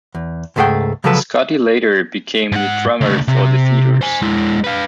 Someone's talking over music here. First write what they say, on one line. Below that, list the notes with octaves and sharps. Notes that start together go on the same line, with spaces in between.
Scotti later became the drummer for The Feederz.
E2
C#2 G#2 A3 G#4 F#5 G5
C#3 F3 F#3 G#3 A4 B4
G#2 F#5
C#2 A3
C3
C5 G#5
G#3 E4
B4 F5